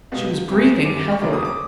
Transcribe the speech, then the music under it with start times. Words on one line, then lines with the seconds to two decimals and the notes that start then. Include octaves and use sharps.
She was breathing heavily.
0.12 C#2 B2 G3 B3
0.48 F#1 E2 C3
0.84 F#2 D3 G3 D6
1.12 C#6
1.21 E1 D2 C#3 F#3 A#3 D6
1.33 D#6
1.45 D6